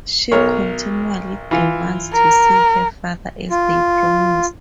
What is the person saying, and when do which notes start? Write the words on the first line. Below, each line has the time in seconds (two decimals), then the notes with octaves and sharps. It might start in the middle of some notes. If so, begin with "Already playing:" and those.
She continually demands to see her father as they promised.
0.32 B1 A#4 C#5
1.51 E3 F4
2.13 A#4
3.51 F4